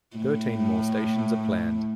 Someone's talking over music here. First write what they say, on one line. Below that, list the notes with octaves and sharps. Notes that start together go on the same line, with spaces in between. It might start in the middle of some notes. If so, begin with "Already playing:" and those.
Thirteen more stations are planned.
A2